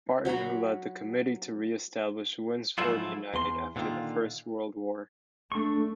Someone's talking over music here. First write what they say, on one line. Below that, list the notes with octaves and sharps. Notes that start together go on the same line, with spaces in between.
Barton, who led the committee to re-establish Winsford United after the First World War.
F#3 F#4 A#5 B5
G#2 F3 F#3 A3 E4 F4
E2 C6
A#2 D3 D#3 F4
A3 D4 C#6